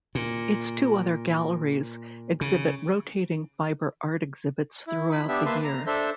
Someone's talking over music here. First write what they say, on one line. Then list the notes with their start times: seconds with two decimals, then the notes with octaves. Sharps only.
Its two other galleries exhibit rotating fiber art exhibits throughout the year.
0.15 A#2
2.41 C#3
4.87 E4
5.12 B5
5.28 B3 D4 G4 E5
5.46 A#3 B4 E5 A5 C6
5.64 A#5
5.87 D4 A4 C5 E5 G6